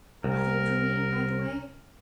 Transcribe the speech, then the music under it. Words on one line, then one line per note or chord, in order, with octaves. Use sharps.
Nothing for me, by-the-way?'
C2 A#4